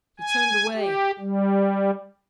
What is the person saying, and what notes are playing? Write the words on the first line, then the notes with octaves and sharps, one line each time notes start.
He turned away.
G#5
G4
G3